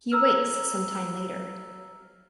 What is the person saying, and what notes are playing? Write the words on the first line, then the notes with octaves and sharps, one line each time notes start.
He awakes some time later.
A#5 E6 F6